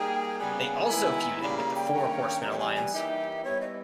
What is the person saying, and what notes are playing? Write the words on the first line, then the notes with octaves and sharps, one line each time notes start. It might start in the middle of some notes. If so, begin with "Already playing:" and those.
They also feuded with the Four Horsemen alliance.
Already playing: G3 A#3 D#4 G#4 G5
C#3 G3 B3 G#5
D#3 G#3 B3 E4
C#3 G3 A#3 B5
A#5
G5
G2 D#3 A#3 C#4
E3 G3 B3 A#5
G5
G#5
G#5
E3 G3 A#3 D#4 G4 E5
G3 B3 E4 C#5
D#5